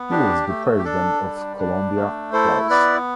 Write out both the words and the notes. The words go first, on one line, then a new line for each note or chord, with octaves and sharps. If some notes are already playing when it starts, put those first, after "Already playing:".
He was the President of Colombia twice.
Already playing: B3
D4 G4
A3
G4
D4 A4
G3
D4
A3
E4 A4 C5
B3 B4 D5